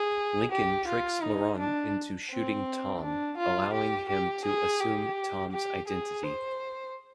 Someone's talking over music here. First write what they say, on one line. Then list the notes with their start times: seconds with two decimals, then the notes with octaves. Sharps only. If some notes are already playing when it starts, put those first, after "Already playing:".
Lincoln tricks Laurent into shooting Tom, allowing him to assume Tom's identity.
Already playing: G#4
0.51 G4
0.88 F4
1.23 D#4
1.59 D4
2.31 C4
3.02 D4
3.38 F4
3.74 G4
4.09 G4
4.45 G#4
4.80 G4
5.52 G4
5.89 G#4
6.24 C5